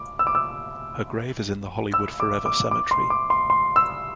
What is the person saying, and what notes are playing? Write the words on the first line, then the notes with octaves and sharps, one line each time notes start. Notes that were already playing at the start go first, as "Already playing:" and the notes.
Her grave is in the Hollywood Forever Cemetery.
Already playing: D6
E6
D6
E6
E6
D6
D6
D6
C6
D6
C6
C6
E6